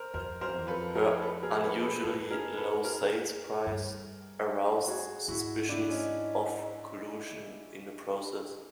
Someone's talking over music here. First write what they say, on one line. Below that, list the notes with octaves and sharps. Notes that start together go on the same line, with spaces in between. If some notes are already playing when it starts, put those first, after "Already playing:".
Her unusually low sales price aroused suspicions of collusion in the process.
Already playing: A#4 C5
F2 A#4 C5
F#2 A#4 C5
F2
E2
F2 A4 B4
G#4 A#4
A4 B4
G#4 A#4
A4 B4
A4 B4
F#2 A4 B4
G#4 A#4
A4 B4
G#4 A#4
G2
F#4 G#4
G#2 E4 F#4
D4 E4
C#4 D#4